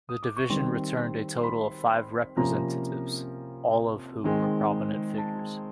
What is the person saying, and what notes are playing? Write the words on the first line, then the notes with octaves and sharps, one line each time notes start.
The division returned a total of five representatives, all of whom were prominent figures.
D#6
D6
C#6
D#3 G3 C4 C6
C6
B5
C3 F3 A#3 C#4 A#5
D#3 G#3 C4
A5